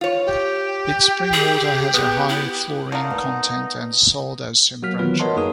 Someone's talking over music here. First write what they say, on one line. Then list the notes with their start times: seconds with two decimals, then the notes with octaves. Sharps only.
Its spring water has a high florine content and is sold as 'Sembrancher'.
0.01 F4 C#5
0.26 G4
1.33 G#4
1.94 B3 F#6
2.29 E4 G4
2.92 D3 A#3 D#4
3.10 B3
4.83 F#3 A#3 F#4 F6 B6
4.99 D#3 E3 F#3 B3 F4 B4
5.20 A#4 C#5 D#5 F#5 A5 C6
5.36 F#2 A#3 D#4 G#4 B4 D#6